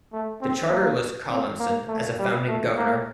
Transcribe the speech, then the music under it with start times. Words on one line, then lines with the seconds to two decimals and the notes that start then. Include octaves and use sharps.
The charter lists Collinson as a founding governor.
0.13 A3
0.42 C4
0.71 A#3
1.30 C4
1.59 A#3
1.88 A3
2.19 G3
2.47 A3
2.77 A#3